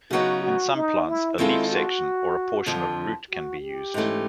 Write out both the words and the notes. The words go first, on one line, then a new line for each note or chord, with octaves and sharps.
In some plants, a leaf section or a portion of root can be used.
C#3 F#3 B3 D#4 F#4
F#4
D#4
E4
D#3 G#3 C4 E4 F4 A4
F#4
F2 D3 F3
F#4
G4
G#2 E3 A3 C#4